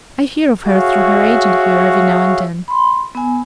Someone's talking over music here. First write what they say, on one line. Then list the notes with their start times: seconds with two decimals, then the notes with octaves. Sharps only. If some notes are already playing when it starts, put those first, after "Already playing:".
I hear of her through her agent here, every now and then.
0.66 F#4 G#4 C#5 E5 F5
2.68 B5 C6
3.15 B3 G#5